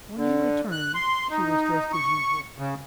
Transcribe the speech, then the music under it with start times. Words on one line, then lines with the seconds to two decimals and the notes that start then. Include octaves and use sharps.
When he returned she was dressed as usual.
0.17 D3
0.72 F#6
0.95 C6
1.31 D#4
1.93 C#6
2.58 C#3